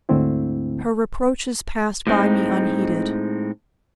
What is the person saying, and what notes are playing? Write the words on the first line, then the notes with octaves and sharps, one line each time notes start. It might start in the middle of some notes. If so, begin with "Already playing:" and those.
Her reproaches passed by me unheeded.
D2 G#2 D3 A3 C4 E4
A2 G#3 C4 D#4